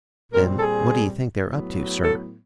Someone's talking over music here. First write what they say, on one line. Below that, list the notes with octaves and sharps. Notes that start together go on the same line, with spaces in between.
"Then what do you think they're up to, sir?"
A#2 G3 C4 A#4
A4
G#4
A2 F#3 B3
A4